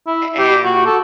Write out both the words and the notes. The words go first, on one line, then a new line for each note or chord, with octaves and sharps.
a and
E4
G4
F#4
A4